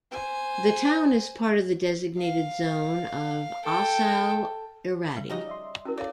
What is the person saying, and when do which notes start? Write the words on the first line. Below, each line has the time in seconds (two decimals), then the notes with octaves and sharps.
The town is part of the designated zone of Ossau-iraty.
0.11 C5 G#5
2.18 F5
3.64 A4 G5
5.17 C#3 G3
5.29 C#3 F3 D#4 F#4 G4 D#5
5.47 D5 E5 C6
5.85 C#4 E4 F#4 A#4
5.98 A4 C#5 D5 F5